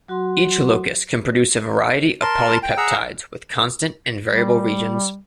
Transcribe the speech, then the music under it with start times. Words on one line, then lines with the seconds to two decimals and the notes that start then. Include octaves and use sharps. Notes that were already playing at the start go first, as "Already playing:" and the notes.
Each locus can produce a variety of polypeptides with constant and variable regions.
0.08 F#3 F#4 F#5 C6
2.22 A#4 A5 C6
2.63 G5
2.77 G#4 F#5 A#5 E6
4.27 G3